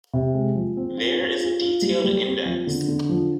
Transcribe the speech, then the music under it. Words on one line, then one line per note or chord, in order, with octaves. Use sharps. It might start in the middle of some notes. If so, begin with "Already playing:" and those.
There is a detailed index.
C3
G#3
F3
C4
F4
F4
F4
F4
G3
G3
C4
F3
D3
D3
F3